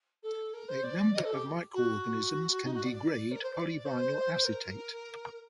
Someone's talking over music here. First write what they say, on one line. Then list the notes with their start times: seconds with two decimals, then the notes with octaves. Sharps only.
A number of microorganisms can degrade polyvinyl acetate.
0.22 A4
0.53 A#4
0.68 C5
0.83 D5
1.13 D#5
1.23 A4
1.33 G4
1.73 F#4
2.64 D#4
2.73 F#4
2.84 D5
2.94 D5
3.31 A#4
3.42 C5
3.54 D5
3.84 C5
4.44 A#4